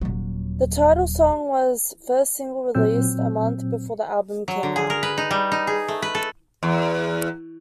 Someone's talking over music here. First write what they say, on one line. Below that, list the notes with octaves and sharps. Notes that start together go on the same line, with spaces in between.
The title song was first single, released a month before the album came out.
D#1 F#3
A#2 F#3 C4 E6 G6
F#3
D3
G#4
A#4
B4
D#4
G3
D#4
G#4
A3
B4
A4
E2